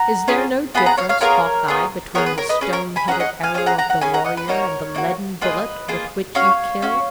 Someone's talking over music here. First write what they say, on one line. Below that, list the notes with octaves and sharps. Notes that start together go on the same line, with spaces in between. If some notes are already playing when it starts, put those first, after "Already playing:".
"Is there no difference, Hawkeye, between the stone-headed arrow of the warrior, and the leaden bullet with which you kill?"
Already playing: F#5 A#5
C#4 F4 G#4
B3 F4 G#4 B5
F#5 A#5
C#5 F5
C#5 F5
B3 F4 G#4 A#4 C#5
B3 F4 G#4
B3 F4 G#4 A#4 C#5
B4
A#4 C#5
B4 D#5
C#4 G#4 B4
A#4 C#5
G#5 B5
C#4 G#4 F#5 A#5
D#5 F#5
F5 G#5
C#4 G#4 F5 G#5
F#5 A#5
F#5 A#5
F#5 A#5
C#4 G#4 G#5 B5
F#5 A#5
D#5 F#5
B4
A#3 D#4 F#4 A#4 C#5
A#3 D#4 F#4
A#3 F4 G#4 B4 D#5
A#3 F4 G#4
C#4 F#4 C#5 F5
C#4 F#4